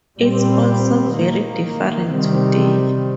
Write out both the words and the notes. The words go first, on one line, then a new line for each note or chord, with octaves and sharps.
It's all so very different today.
A#2 G3 C4
D#3 A#3
C3 D#3 G3 C4